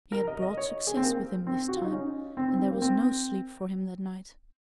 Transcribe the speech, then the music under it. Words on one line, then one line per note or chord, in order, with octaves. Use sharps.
He had brought success with him this time and there was no sleep for him that night.
A#4
D#5
D#5
C#5
G#4
C4
A#3
C4
F#4
F4
D#4
C#4
C4
C4
C4
A#3
C4